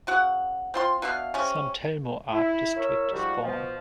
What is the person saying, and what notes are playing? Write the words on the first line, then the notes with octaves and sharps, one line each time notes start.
San Telmo Art District is born.
C#3 F#4 F#5
C4 F4 C6
B2 D4 E5 F5
C3 C#4
E4
E4 A#4 C#5 E5
G#2 F3 G3 F#4
B2 F3